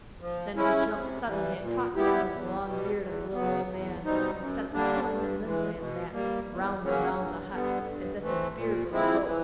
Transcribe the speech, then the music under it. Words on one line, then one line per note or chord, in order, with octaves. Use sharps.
Then he jumped suddenly and caught the end of the long beard of the little old man, and set to pulling him this way and that, round and round the hut, as if his beard was a rope.
F3
G#3 C#4 E4
C3
E3 G3
A#2
G3 B3 E4 G4
E2
B2 G3
E2
C#3 F#3 B3
E2
B2 G3 C4 D#4
F#2
D3 G3 A#3 D4
G2
E3 G#3
B2
G3 A#3
E2
C#3 F#3 A#3 C#4
G2
D3 G3 B3
G2
E3 A3 C4
A#2
F3 G#3 C4 E4
E3